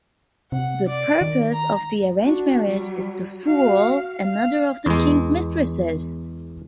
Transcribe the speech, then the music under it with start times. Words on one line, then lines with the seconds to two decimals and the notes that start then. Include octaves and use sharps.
The purpose of the arranged marriage is to fool another of the King's mistresses.
0.52 C3 F#5
0.89 D5
1.21 D#3
1.53 A#5
2.23 D4 F#4
2.65 F#3 G3
3.43 F#4 F5
4.21 F5
4.86 E2 G#3